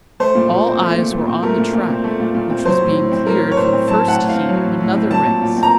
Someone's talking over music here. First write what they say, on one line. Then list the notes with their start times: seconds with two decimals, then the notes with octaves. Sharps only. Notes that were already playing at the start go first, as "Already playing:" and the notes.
All eyes were on the track, which was being cleared for the first heat of another race.
0.20 A3 C5
0.35 A#2
0.51 A#2
0.66 C4
0.82 A3
0.96 A#2
1.11 A#2
1.27 C4
1.43 A3 A#4
1.58 A#2
1.73 A#2
1.89 C4
2.04 A3
2.20 A#2
2.35 A#2
2.50 C4
2.65 F#3 C5
2.81 A2
2.96 A2
3.11 C4
3.26 F#3 A#4
3.42 A2
3.52 C#5
3.57 A2 C5
3.73 C4
3.88 F#3 A5
4.03 A2 F#5
4.18 A2
4.29 F5
4.34 C4
4.49 F#3
4.64 A2
4.80 A2
4.96 C4
5.11 F#3 A5
5.26 A#2
5.42 A#2
5.56 C4
5.63 A#5